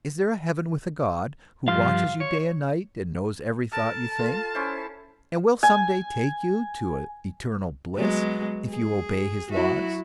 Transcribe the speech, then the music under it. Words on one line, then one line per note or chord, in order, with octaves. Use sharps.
Is there a heaven with a God, who watches you day and night, and knows every thought you think, and will some day take you to eternal bliss if you obey his laws?
G2 F3 F5 C6 F6
C#5
A4 A#4 A5
F4 A4
C#4 E4 C5
G#5
F#3 G#3 B3
G#4
F#3 E4 F#4